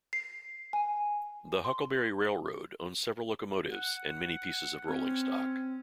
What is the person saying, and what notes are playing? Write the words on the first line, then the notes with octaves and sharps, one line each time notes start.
The Huckleberry Railroad owns several locomotives and many pieces of rolling stock.
C7
G#5
C6
F#5
C4 C#4